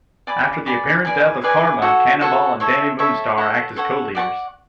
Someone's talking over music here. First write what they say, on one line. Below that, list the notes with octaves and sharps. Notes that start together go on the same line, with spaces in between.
After the apparent death of Karma, Cannonball and Dani Moonstar act as co-leaders.
D5 G#5 B5 D6
D5 G#5 B5 D6
G#4 B4 D5 G#5
G#4 B4 D5 G#5
F#4 A4 C#5 F#5
F#4 A4 C#5 F#5
A4 C#5 E5
A4 C#5 E5
A4 C#5 F#5
A4 C#5 F#5
D5 F#5 A5 C#6